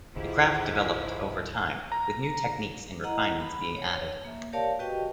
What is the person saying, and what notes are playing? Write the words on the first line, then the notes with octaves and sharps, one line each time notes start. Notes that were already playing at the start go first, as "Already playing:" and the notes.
The craft developed over time, with new techniques and refinements being added.
A1 D#2 G#2 D3 E4 F4 G4 G#4
A#5
E4 D#5 F#5 A#5
B5
C#5
A#3 E5
G4 A#4 C#5 D5 F5 A5
F#4 G4 B4 D#5 G5 C#6